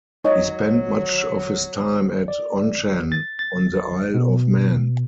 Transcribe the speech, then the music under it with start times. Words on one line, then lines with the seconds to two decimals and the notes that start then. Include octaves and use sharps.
He spent much of his time at Onchan on the Isle of Man.
0.24 F#3 D#4 C#5 D#5
2.28 D5
3.12 A6
3.39 A6
4.14 B2